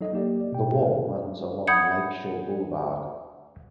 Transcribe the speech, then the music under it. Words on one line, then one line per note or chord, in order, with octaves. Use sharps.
The wall runs along Lakeshore Boulevard.
F#3 D#4 A4 D#5
A#3 G4 D5
B2 G5
G#3
F#5 B5 D#6 G6 G#6 C#7